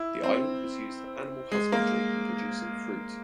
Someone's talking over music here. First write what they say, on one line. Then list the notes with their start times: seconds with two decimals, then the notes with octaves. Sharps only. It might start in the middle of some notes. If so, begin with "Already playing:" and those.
The island was used for animal husbandry and producing fruit.
Already playing: E4
0.23 C4
1.52 G#3
1.72 A#3